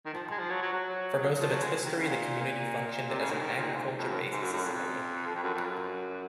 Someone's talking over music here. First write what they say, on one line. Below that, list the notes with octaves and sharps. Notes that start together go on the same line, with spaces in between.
For most of its history, the community functioned as an agriculture-based society.
D#3
F3
G#3
F3
F#3
F#3
F#3
F3
F#3
G#3
D#3
C#3
A#2
A#2
C3
C#3
D#3
C#3
D#3
A#2
G#2
F2
F#2
G#2
F#2
F#2
F2
F2
F#2
F2
F#2